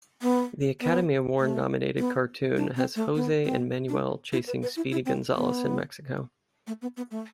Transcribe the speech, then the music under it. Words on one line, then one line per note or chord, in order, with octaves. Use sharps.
The Academy Award-nominated cartoon has Jose and Manuel chasing Speedy Gonzales in Mexico.
B3
B3
A3
B3
D4
C4
A3
B3
C4
D4
E4
B4
B4
E4
E4
C4
B3
A3
B3
B3
A3